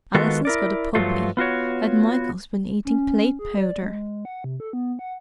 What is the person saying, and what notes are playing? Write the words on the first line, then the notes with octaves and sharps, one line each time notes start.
Alison's got a puppy, and Michael's been eating plate-powder.
D#3 G#3 B3 F4 F#4 A4
E4 A#4 D5
G2 F3 F#3 A3 F4
B3 F4 F#4 C#5
C#4
G#4
D5
G#3
F#5
C3
A4
B3
F#5